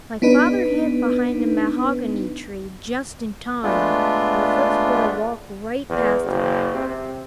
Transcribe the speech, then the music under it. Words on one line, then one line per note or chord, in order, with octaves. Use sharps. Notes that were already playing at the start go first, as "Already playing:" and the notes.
My father hid behind a mahogany tree just in time, and the first boar walked right past him.
B3 D4 D#4 B4
G#3 A3 B3 D4 F4
E2
F#1
C3